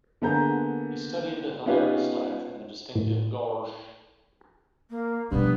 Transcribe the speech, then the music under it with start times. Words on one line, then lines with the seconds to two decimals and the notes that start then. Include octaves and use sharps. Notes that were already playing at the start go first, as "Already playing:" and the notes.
He studied the hilarious laugh and the distinctive "gawrsh".
0.22 D3 A#3 B3 G#4 A#5 G6
1.66 B3 C#4 D#4 F4 G4 B4
2.96 A2
4.90 A#3
5.31 G2 B2 F3 B3